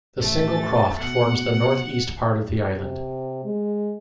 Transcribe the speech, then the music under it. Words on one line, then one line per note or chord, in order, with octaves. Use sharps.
The single croft forms the north-east part of the island.
A1 A3 A6
B2 F#5
C3
G#3